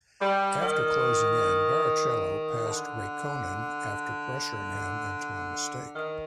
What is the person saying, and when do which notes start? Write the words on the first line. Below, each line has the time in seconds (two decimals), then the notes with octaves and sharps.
After closing in, Barrichello passed Räikkönen after pressuring him into a mistake.
0.20 G3
0.61 D#3
2.67 D3
5.95 D#3